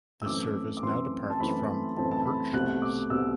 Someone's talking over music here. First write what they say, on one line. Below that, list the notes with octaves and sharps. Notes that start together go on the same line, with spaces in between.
This service now departs from Hirtshals.
E6
F#2 E3 A3 C4 D6
D6
F#2 E3 A3 C4 C6
A5
F#2 E3 A3 C4 B5
F#2 E3 A3 C4 A5
A5
B5
C2 B2 A3 C4 F#6
D6
C2 B2 A3 C4 E6